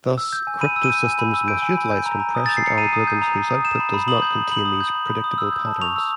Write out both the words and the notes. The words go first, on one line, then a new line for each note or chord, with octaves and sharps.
Thus, cryptosystems must utilize compression algorithms whose output does not contain these predictable patterns.
E6
G6
G#5
B5 D#7
E6
D#7
G6
G#5
B5
E6
G6 D7
G#5
B5
G6
A#5
A#5
D#6
A6
G6
C7
A#5 C#7
A#5 D#7
D#6
G6
A#5
A#5
D#6
G6 E7
B5
B5
D#6 F#7
G6
B5
B5 F#7
D#6
G6
B5
B5
D#6
E6
G6
A5
C#6 F7
E6